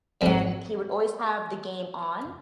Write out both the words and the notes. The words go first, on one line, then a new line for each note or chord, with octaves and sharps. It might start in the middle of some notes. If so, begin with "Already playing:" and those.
and he would always have the game on,
F2 G#2